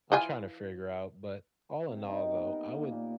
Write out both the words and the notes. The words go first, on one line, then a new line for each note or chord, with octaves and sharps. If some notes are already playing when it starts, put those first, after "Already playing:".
I'm trying to figure out. But all in all, though, I would
E3 F4 G#5
C3
D#4
B3
A#4
A#3
A#2